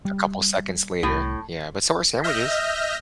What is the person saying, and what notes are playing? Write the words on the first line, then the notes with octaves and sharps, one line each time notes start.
a couple seconds later, yeah, but so are sandwiches.
G3
C2 A2
D#5 E5 F6 G6 A#6